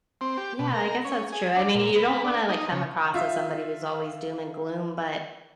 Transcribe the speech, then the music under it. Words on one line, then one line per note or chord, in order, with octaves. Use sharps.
Yeah. I guess that's true. I mean, you don't wanna, like, come across as somebody who's always doom and gloom, but,
C4
G4
B2
A#4
C#4
G#4
D4
A#2
B4
D4
D#4
C#3
F4 E5